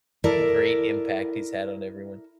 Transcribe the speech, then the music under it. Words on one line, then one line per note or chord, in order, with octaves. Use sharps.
great impact he's had on everyone.
E4 A4 A#4 D5